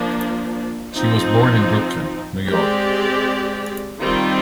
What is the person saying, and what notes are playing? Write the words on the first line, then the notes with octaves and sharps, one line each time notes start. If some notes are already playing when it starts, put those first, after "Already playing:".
She was born in Brooklyn, New York.
Already playing: F3 A#3 D4
F3 C4 D#4
G#3 C4 G4 D5
D#3 G3 C4 F4